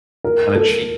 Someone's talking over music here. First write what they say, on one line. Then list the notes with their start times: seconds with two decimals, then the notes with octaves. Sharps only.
Kinda cheek.
0.24 A#4
0.55 A4